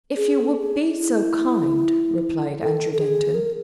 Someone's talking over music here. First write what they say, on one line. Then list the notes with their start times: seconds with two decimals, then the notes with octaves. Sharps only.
"If you would be so kind," replied Andrew Denton.
0.16 G#4
0.41 A4
0.60 G#4
0.97 E4
2.61 A4
2.93 A4
2.98 G#4
3.34 A#4